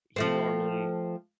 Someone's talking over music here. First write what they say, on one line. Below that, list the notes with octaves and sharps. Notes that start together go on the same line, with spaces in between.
he normally
F3 A3 C4